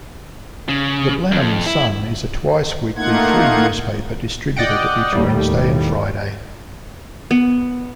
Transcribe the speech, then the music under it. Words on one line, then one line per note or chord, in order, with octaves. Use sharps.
"The Blenheim Sun" is a twice-weekly free newspaper distributed each Wednesday and Friday.
C#3
F2
E4
A3 A#3 D#4 F4 F#5 G#6
D5 D#5 F#5 G5
D#2 A2 G3
B3